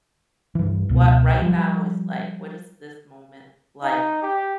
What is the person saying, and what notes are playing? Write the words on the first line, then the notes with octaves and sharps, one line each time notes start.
what right now is like, what is this moment like
G2 E3
C#2 B2
F3 G3
D#4
G4